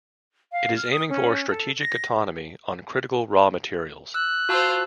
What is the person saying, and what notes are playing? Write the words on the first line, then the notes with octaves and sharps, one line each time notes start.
It is aiming for strategic autonomy on critical raw materials.
F5
F6
D#6
C#4
A4
A#6
E6 F#6
F4 F#4 C5 A5 E6